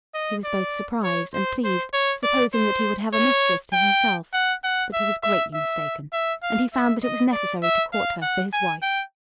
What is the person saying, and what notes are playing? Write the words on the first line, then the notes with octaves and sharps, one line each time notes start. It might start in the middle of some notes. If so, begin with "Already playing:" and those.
He was both surprised and pleased, supposing that he would have a mistress to himself; but he was greatly mistaken, and he found that it was necessary to court her for his wife.
D#5
D5
C#5
C5
C5
C#5
D5
C5
C#5
G5
F#5
F#5
E5
E5
E5
E5
F5
E5
D#5
D5
E5
F5
F#5
G#5
G5